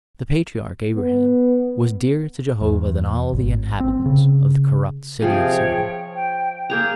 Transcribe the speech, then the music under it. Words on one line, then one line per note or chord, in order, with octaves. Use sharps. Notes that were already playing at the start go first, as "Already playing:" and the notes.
The Patriarch Abraham was dearer to Jehovah than all the inhabitants of the corrupt city of Sodom.
B3
E2
G#1
C4
C#3
C3 F3 G#4 G5 G#5
C#5
G5
A#3 G#4 A#5 G6